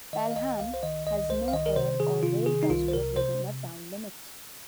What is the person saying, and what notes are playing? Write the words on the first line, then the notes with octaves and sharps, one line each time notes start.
Pelham has no air or rail transport within the town limits.
D#3 D#5
F5
C2 D#5
C2 F5
C5
D#3 D#5
C2 D#5
C2 C5
F5
D#3 D#5
A#4
C3 C5
D#3 G#4
C3 F4
D#3 G#4
D#4
C2 F4
C5
C3 A#4
C3 C5